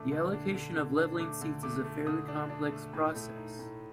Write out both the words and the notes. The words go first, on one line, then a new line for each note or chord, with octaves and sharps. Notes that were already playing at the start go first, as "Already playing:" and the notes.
The allocation of leveling seats is a fairly complex process.
Already playing: D3 A3 D4 D6
D3
D4
D3
D3
D4
A3 D6
D3
A3 D6
A3
D3 D#6
D4
D4
A3
A2
A3
D#4
A2